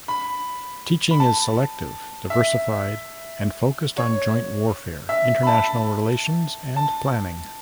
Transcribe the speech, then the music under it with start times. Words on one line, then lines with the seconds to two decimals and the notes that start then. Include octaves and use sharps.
Teaching is selective, diversified, and focused on joint warfare, international relations, and planning.
0.08 B5
1.11 B5
1.20 A5
2.30 E5
3.98 C#5
5.09 E5
5.43 B5
5.47 A5
6.76 A5